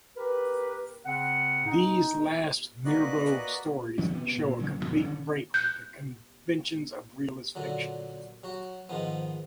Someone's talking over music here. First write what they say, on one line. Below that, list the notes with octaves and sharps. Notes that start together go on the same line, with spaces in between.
These last Mirbeau stories show a complete break with the conventions of realist fiction.
G4 A#4 B4
C#3 C4 F#5
D#4
A#3 F#4 B4 D5 D#5 F#6
D#3 F3 C#4
C3 B3
A#2
C#3 F#3 A#3
A1 E2 A#2
D3 D#3 C#4
F#6 G6
A#2 D3 F#3
F#3 F#4
G#2 D#3 F3 B3